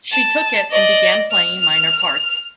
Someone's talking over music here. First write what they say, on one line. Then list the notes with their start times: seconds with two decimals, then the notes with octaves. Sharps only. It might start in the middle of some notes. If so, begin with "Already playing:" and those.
She took it and began playing minor parts.
0.12 A5
0.70 D5 D#5
1.31 F6